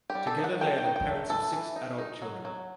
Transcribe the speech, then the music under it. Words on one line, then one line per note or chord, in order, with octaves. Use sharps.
Together they are the parents of six adult children.
G4
G3
A4
D#4
F#5
A3 G5
G5
D#3
G5
A3
E3 A4
E3
D#4
D#4
F#3
F#3